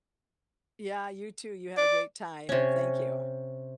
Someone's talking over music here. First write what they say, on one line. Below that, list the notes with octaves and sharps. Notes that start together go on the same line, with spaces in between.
Yeah, you too, you have a great time, and thank you.
D5
C3 C#4